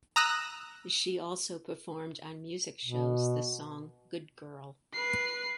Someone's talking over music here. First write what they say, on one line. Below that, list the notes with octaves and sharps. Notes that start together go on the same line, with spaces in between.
She also performed on music shows the song Good Girl.
A#5 D#6 E6 F#6 A#6
B2
B4 C7